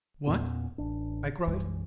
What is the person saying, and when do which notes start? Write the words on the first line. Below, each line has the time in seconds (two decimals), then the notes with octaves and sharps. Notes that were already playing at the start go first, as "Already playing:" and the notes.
"What!" I cried.
0.27 E2 A#2 B3 C#4
0.78 A1 D4
1.47 B1 F#2 E3 G#3